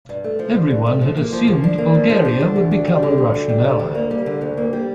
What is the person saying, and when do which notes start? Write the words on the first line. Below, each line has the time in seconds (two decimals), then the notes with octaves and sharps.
Everyone had assumed Bulgaria would become a Russian ally.
0.09 G2
0.24 A3
0.39 F3
0.55 D3
0.71 G2
0.86 A3
1.01 F3
1.17 A#3
1.33 F3
1.47 F3
1.64 D4
1.78 A#3
1.95 F3
2.10 F3
2.25 D4
2.40 D3
2.56 D2
2.71 D4
2.87 G3
3.03 D3
3.18 D2
3.34 D4
3.49 G3
3.64 D3
3.79 D2
3.95 A#3
4.11 G3
4.26 D3
4.41 D2
4.57 A#3
4.73 G3